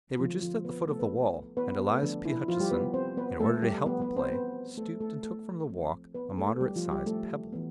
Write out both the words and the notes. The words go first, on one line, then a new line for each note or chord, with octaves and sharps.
They were just at the foot of the wall, and Elias P. Hutcheson, in order to help the play, stooped and took from the walk a moderate sized pebble.
D3 F3 A3 C4 F4
F3 F4
B3 B4
A3 A4
B3 B4
B3 B4
B3 B4
B3 B4
A3 A4
D3 F3 B3 D4
E4
F3 F4
G3 G4
B3 B4
C4 C5
B3 B4
A3 A4
G3 G4
F3 B3 B4
B3 B4
C4 C5
B3 B4
A3 A4
A3 A4
A3 A4
F3 C4
B3 B4
A3 A4
G3 G4
F3 F4
G3 G4
A3 A4
E3 B3